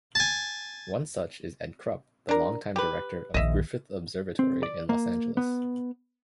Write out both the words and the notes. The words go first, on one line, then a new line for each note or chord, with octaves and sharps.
One such is Ed Krupp the long-time director of Griffith Observatory in Los Angeles.
G#5 A5
D4 A#4
G4 B4
A#1 D#2 D#5 E5
C4
D5
A#3
B3